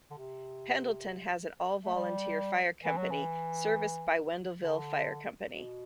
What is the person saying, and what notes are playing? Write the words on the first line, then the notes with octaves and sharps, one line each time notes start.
Pendleton has an all-volunteer fire company serviced by Wendelville Fire company.
D3
C3
A3
G3
E3
F#3
E3
D3
B2